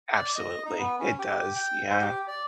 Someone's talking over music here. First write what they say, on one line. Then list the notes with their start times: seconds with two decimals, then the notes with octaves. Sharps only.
Absolutely, it does, yeah.
0.13 D5
0.36 D#5
0.65 D#4
0.79 B3
1.00 C#4
1.19 G4
1.56 G5
1.90 C5
2.01 G4
2.28 D5